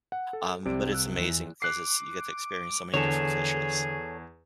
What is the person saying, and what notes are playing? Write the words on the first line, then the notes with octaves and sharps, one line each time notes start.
um, but it's amazing 'cause it's you get to experience so many different fishes.
F#5
A4
C2 C3 D5 D7
E6 F#6
E2
D6 F#6 C7
E2 D3 G#4 A4 C#5